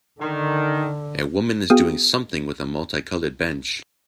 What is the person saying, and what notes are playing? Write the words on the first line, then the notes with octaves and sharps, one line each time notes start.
A woman is doing something with a multicolored bench.
D3 D#3
B3 F#4 G#4 F5 G5 D#6